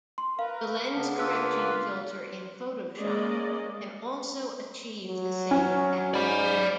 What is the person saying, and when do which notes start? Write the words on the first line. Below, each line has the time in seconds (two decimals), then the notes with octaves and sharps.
The Lens Correction filter in Photoshop can also achieve the same effect.
0.18 C6
0.39 A#4 B4 F5
0.93 C#3 B3 D4
1.18 A#3 F4 G#4 B4 E6
2.97 G#3 A#3 C#4 D5 D#5
5.06 F#3
5.51 C#4
6.14 G#2 D5 B5